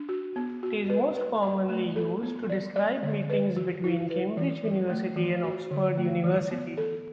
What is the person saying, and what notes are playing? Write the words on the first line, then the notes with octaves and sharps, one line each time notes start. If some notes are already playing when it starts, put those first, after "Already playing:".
It is most commonly used to describe meetings between Cambridge University and Oxford University.
Already playing: D4
F#4
B3
F#4
B4
B4
D5
A3
A4
B3
D5
D5
D3
B4
F#4
E4
B4
E3
E3
A3
E3
F#4
D3
A3
E3
B3
A4